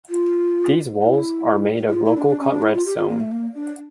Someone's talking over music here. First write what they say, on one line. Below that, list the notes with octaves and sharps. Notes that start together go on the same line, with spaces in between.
These walls are made of local cut red stone.
F4
E4
E4
F4
E4
D4
D4
C#4
D4
E4
F4
G4
F4
A#3
A3
A#3
D4